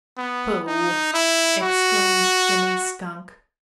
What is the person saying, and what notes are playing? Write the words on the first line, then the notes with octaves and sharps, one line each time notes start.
"Pooh!" exclaimed Jimmy Skunk.
B3
D#4
E4
F#4